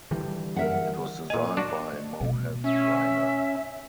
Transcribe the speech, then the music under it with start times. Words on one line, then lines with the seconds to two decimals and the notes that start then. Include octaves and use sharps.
It was designed by Mohan Raina.
0.11 D3 E3 G3
0.56 A#4 E5 F#5
1.30 A#2 D#5 G#5
1.57 D4 F#4
2.20 B2 A3
2.64 C#4 E5